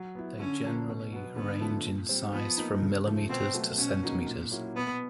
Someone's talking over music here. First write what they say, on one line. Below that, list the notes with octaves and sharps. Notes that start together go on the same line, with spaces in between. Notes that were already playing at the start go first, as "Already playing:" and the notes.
They generally range in size from millimeters to centimeters.
Already playing: F#3
B3 E4
D3 C#4
F3 A#3 D4
B2
F#3 B3
D3 B3
F3 A3 D4
A#2
G3 C4
F3 B3
A#3 D#4
C#3
F3 A3
B2 C4
F#3 A3
B2 C#4
F#3 A#3 D#4
A#2
F#3 A#3 C#4 E4
B2 B3